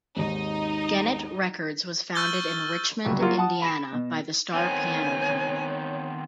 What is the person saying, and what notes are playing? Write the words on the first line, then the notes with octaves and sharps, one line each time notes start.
Gennett Records was founded in Richmond, Indiana, by the Starr Piano Company.
G#1 D#2 G#2 D#4 D#5
C#6 E6 F6 G6 A6 G7
G1 C#2 F#3 G3
F#3 A#3 F4 F#4
F#5 A5 D#6
B5 A#6 E7
B2
D#3 B3 C4 C#5 G#5